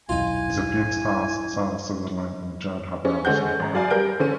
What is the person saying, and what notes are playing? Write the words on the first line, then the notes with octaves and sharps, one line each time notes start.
The film stars Sarah Sutherland and Jared Abrahamson.
D#1 B1 F#2 E3 D#4 F4 G#5
C#4
D3 G#3 C#4 F#5 G6
G#1 G#3 A#5
F#2 F#3 D5 F5 G#5
G3 A#4 G6 D7
D3 C#4 D#7